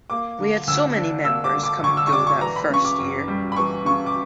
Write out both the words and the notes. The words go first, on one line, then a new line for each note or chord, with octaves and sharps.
We had so many members come and go that first year.
A#3 D6
D3
D2 E6
D4
A#3 E6
D6
D3
D6
D2 C#6
E6
C#6
D4 D6
C#6
E3 A#5
B5
C#3 C#6
D6
F#2
G3
B5
E3 C#6
C#3 C#6
D6